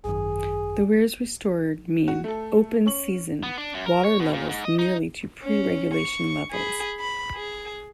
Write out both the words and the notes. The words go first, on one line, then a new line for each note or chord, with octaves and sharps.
The weirs restored mean open-season water levels nearly to pre-regulation levels.
G#1 F#2 D#3 G#4
F#4
A3 A4
C#4 C#6 F#7
B3
D4
F#2
A#4
C#5
B2
A#2
G#2
D#5
D#4
C#4
C#6
G#4 B5
B5
G#4